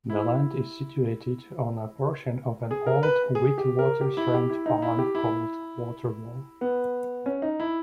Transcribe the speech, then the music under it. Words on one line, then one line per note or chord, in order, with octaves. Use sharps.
The land is situated on a portion of an old Witwatersrand farm called "Waterval".
E4
G#4
A#4
B4
G#4
G4
A#4
G4
E4
G4
E4
D#4
E4
G4
E4
B3
C#4
D#4
E4